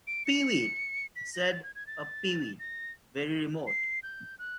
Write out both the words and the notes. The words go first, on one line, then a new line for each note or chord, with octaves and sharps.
"Peewit," said a peewit, very remote.
D7
C#7
B6
A#6
A6
G#6
G#6
A6
A#6
C7
G6
F#6